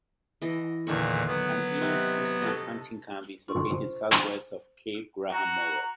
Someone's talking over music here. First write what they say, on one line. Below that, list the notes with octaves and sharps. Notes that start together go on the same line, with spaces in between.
An Inuit seasonal hunting camp is located southwest of Cape Graham Moore.
E3 D#5
E2 A#2 D3 D#3 C#6
F#3 B3
C3 D#4
A4 D#5
D4 F4 A4 C6 C#6
C5
F#4 A#5